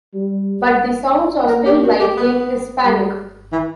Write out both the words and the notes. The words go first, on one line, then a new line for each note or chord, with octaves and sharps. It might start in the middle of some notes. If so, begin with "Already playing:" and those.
But the sounds are still lightly Hispanic.
G3
A#3 A#4
G4
F#4
G4
B3
G3
E3